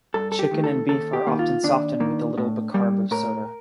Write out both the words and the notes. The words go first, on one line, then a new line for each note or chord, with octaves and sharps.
Chicken and beef are often softened with a little bicarb of soda.
G2 A4
A4
G4
D#3 A3
A4
D#2 A4
G4
D#3 A#3
F4
D#2 D4
D#3 A#3
A2
G3 A#3
A2 A#4